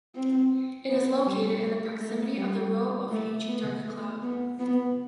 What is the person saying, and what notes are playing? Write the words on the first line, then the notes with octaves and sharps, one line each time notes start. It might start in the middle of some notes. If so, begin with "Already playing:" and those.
It is located in the proximity of the Rho Ophiuchi dark cloud.
C4
B3
G3
A3
A3
G3
A3
B3
A3
B3
B3